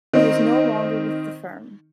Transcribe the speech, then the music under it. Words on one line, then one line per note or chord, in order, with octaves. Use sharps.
He is no longer with the firm.
D#3 C4 D#4